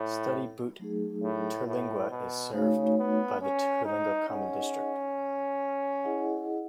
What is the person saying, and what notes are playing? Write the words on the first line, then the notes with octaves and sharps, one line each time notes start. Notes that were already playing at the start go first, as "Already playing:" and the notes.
Study Butte-Terlingua is served by the Terlingua Common School District.
Already playing: A2
F#3 A3 D#4 G#4
A2
A2
B2
C#3 A3 D#4 F#4 C#5
B3
C#4
D#4
C#4 D#4 G#4 D#5 F#5
E4 G#4 D#5 F#5